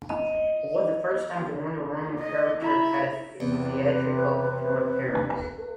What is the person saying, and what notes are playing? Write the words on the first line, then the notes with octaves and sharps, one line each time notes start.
It was the first time the Wonder Woman character had a theatrical film appearance.
D#5
D#5
E4 E5 A#5 B5
E2 C3 B4